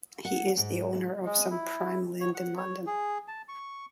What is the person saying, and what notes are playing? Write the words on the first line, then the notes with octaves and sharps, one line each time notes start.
He is the owner of some prime land in London.
F#5
G#2
G#3
E4
C#5
F#5
C#5
G#4
A5
C#6